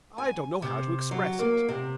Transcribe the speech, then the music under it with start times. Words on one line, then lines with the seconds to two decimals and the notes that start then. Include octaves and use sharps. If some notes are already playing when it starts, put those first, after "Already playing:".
I don't know how to express it.
0.18 G#5
0.62 C3
1.11 F#3
1.39 A#3
1.69 C3